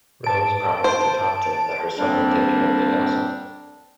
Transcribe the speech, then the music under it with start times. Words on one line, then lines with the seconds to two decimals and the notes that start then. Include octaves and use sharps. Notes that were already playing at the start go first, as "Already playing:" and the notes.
Rose promised to Tomten that her son would take care of the castle.
0.24 A5 D7
0.84 C5
1.98 D3 F3 G3 A#3 C4 D4